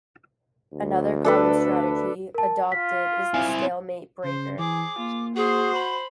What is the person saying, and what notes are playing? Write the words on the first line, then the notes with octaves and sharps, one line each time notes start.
Another common strategy adopted is the "stalemate-breaker".
D2
D4 A4 B4
A#4 A5
F4 B6
C4 E4 G#5
C#3 C5
E3 G#4 D6
A#3 F4
F#4 G#4 C5
B5